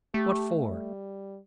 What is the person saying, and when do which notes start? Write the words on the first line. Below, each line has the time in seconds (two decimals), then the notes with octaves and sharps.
"What for?"
0.14 A3 G4
0.69 G3